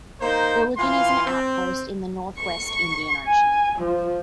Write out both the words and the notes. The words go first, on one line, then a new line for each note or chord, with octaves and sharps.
Uligan is an outpost in the northwest Indian Ocean.
A#3 D#4 C5
E3 F4 F5 C6
C4
C#6
G#5
F3